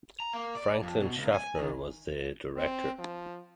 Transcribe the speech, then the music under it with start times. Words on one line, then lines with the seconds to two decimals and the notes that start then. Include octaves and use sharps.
Franklin Schaffner was the director.
0.20 A#5
0.33 A#3
0.55 D5
0.83 F2
1.01 B2
1.18 C#2
1.34 G#5
1.59 D#3
2.56 C4
2.98 F3